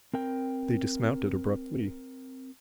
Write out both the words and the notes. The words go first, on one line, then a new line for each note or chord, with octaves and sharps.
They dismounted abruptly.
C4 A#4 G5